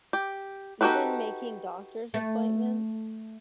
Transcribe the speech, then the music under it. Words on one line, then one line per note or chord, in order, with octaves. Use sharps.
even making doctor's appointments.
G4
D#4 F#4 G4 A4 B4
A3